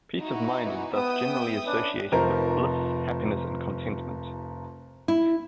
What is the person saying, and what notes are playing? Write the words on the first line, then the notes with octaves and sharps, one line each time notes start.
Peace of mind is thus generally associated with bliss, happiness and contentment.
D#4 E4 F#4
B2 E3
B3 E5 G5 D#6
C#4 D4 B4
F1 F3 A#4 C5 A#5
E4